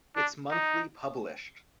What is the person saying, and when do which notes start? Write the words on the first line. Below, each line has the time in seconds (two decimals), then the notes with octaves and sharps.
It's monthly published.
0.16 D4
0.51 D#4